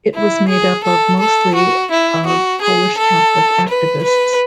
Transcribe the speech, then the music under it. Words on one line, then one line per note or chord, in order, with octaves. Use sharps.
It was made up of mostly of Polish Catholic activists.
E4
G#4
A4
A4
F#4
E4
F#4
G#4
A4
B4
B4